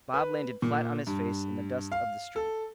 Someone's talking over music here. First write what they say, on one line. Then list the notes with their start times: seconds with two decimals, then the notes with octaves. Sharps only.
Bob landed flat on his face in the dust of the street.
0.14 B4
0.62 A#2
1.07 G2
1.92 F5
2.36 A4